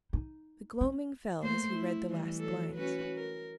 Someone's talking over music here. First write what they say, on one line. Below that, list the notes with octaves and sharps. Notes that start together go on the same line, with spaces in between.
The gloaming fell as he read the last lines.
D#4
C4
A3 A#3 C5
E4
E3 G3
F#3 A4
C#4 F#4 B4
A#4